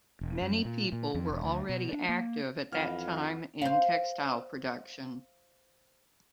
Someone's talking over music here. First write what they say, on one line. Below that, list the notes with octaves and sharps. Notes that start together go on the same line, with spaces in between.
Many people were already active at that time in textile production.
E1
F#2
A#2
A#2
F2
E1
D2
B2
D4
A#3
F2 E3 D#5 F5 F#5 B5 F6
C5 F5